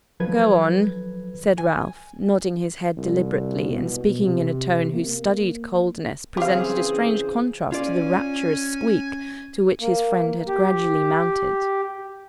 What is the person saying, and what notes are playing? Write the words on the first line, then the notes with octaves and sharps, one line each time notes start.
'Go on,' said Ralph, nodding his head deliberately, and speaking in a tone whose studied coldness presented a strange contrast to the rapturous squeak to which his friend had gradually mounted.
D#3 F3 F#3 A4 B4 G#6
G#5
C2
B2
C3
A#3
C#3 E3 C4 G4 G#4 C5 F5
C#4 F4 D5 G#5
A#3
G4